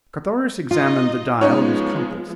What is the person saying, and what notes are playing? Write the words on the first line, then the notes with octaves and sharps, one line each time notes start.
Carthoris examined the dial of his compass.
D#4 F4 D#5
F3 G#3 B3 C#4 D#4 C#5